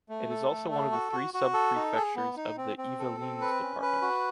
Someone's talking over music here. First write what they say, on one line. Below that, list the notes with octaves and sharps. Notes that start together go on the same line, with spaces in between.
It is also one of the three sub-prefectures of the Yvelines department.
A3
A4
A3
A4
F#4
F#4
F#4
A4
D#4
G#4
B3
D#4
C4
C4
A4
C4
B4
C#4
B4
F#4